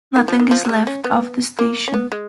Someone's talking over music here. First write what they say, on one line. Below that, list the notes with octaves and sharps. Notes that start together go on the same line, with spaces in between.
Nothing is left of the station.
D#3
F3
D#3
F3
F#3
G#3
C#4
B3
A#3
C#4
B3
G#3